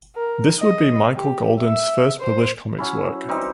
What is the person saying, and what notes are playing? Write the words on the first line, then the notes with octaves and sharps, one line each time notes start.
This would be Michael Golden's first published comics work.
A#4
D#5
G4
E5
C5
F#3 C#4 E4
E3 G3 C4 D#4